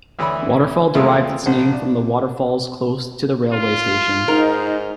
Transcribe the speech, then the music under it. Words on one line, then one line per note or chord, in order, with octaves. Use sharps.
Waterfall derived its name from the waterfalls close to the railway station.
D2 E3 E4 C#5 B5
E2 B2 G#3 A3 E4 F4
A#1 C5 F#5
D4
F4
G#2 D#4 A#4